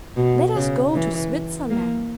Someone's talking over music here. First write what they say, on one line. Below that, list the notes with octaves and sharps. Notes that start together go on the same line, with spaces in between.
Let us go to Switzerland!
B2
C#3
E3
A#3